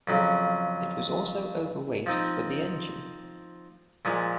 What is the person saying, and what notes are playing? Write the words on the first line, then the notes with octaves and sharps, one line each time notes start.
It was also overweight for the engine.
F2 C#3 F#3
F3 C4 D#4
A#2 F3 G#3